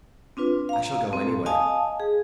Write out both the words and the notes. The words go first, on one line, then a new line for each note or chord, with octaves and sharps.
I shall go anyway.
C4 D4 F4 B4
F5 A#5
C4 A4
D#5 F5 G#5 A5 D#6
G#4